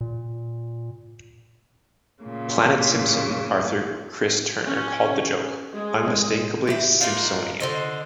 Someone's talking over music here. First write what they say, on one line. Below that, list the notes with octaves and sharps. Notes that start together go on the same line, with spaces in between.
"Planet Simpson" author Chris Turner called the joke "unmistakably Simpsonian".
A#2
A#2 C#3
C#4
G#3
E4 G4
A#3 D4 D#4 F4
D3 C5 D#5